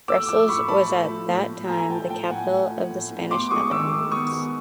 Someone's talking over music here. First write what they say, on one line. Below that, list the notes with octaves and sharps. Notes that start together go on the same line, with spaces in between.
Brussels was at that time the capital of the Spanish Netherlands.
A3 D6 E6
F3 D6 E6
A2 B5 C#6
A2 A5 B5
A3
F3
A2
A2
A3 G#5 A#5
F3 G5 A5
A2 G5 A5
A2 F#5 G#5
A3
F3
A2
A2
B3 C6 D6
G#3 C#6 D#6
D#3 D6 E6
D#3
B3 C#6 D#6
G#3